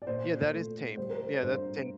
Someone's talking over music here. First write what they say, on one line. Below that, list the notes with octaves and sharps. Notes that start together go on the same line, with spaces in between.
Yeah, that is tame. Yeah, that's tame.
D5
A#2 C5
A3
G3 C5
A#4
C5
G2 C5